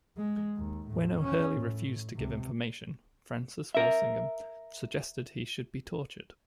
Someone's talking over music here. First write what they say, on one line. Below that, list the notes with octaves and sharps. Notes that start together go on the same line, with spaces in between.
When O'Hurley refused to give information, Francis Walsingham suggested he should be tortured.
G#3
D#2
E2 A2
C#4
A2
C#2 C3
A#4 E5